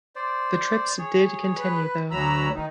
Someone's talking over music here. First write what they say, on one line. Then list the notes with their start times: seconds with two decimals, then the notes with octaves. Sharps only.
The trips did continue though.
0.16 C5 D5
0.99 G#4 C#5
1.57 B4
2.11 D2 F#3 A#5 B5 E6
2.55 D#3 D#4